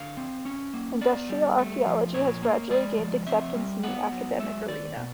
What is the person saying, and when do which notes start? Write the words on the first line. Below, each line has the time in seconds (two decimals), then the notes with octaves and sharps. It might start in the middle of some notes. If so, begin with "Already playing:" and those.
Industrial archaeology has gradually gained acceptance in the academic arena.
Already playing: D3 F5
0.17 C4
0.45 C#4
0.74 A#3
1.01 B3 D5
1.29 G3
1.58 A3
1.86 F3
2.14 A#2 C#5
2.42 A#3
2.70 G#3 D5
2.99 F3
3.27 C4 E5
3.56 G3
3.83 B3 F#5
4.12 F#3
4.39 G#3 E5
4.68 D#3 D5
4.96 B2